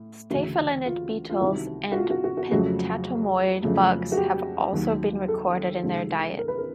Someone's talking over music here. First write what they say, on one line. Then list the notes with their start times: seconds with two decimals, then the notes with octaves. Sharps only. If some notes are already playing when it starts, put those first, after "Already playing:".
Stayphylinid beetles and pentatomid bugs have also been recorded in their diet.
Already playing: A2
0.30 D2 C#3 E3 F#4
0.86 F4
1.30 F4
1.41 C2 C3 D#3 F#4
1.92 F#4
1.97 F4
2.10 F#4
2.24 F#4
2.37 F#4
2.51 F2 C#3 F#3 A3 F#4
3.62 F2 C#3 F#3 A3
4.12 F#4
4.17 G4
4.73 D#2 D#3 F#3
5.28 A4
5.83 C#2 C3 D#3 G#3
6.38 A#4
6.48 B4
6.58 A#4